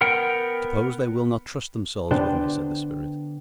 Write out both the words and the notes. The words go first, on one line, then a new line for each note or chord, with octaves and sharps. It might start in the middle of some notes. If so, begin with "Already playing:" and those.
"Suppose they will not trust themselves with me?" said the spirit.
B3 A#4 F#5 G5
D3 B3 D4 G4 B4 C5